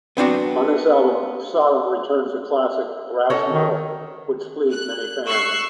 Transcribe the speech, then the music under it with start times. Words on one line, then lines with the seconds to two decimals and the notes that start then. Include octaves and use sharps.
On this album, Sodom returned to classic thrash metal which pleased many fans.
0.17 B3 C4 D4 F#4
3.30 C#4 D#4 A4
3.50 D#3
4.72 F#6
5.27 C#6 E6 F#6 C7